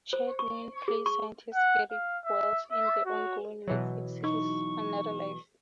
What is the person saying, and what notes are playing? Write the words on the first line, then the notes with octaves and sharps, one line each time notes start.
Chatwin plays scientist Erik Wallace in the ongoing Netflix series "Another Life".
C5
C#6
G#4
C#6
F#5
F5
E5
E5
F#4
B2 E3 F#3
D#4 C#6